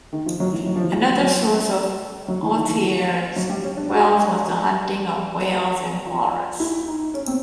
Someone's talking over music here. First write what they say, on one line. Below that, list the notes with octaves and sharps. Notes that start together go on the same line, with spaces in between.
Another source of Ohthere's wealth was the hunting of whales and walrus.
D#3
F3
F#3
E3
F#3
F3
E3
F3
F#3
F#3
E3
D#3
E3
F#3
G3
C#4
D4
F#4
F4
E4
D#4
C#4
C4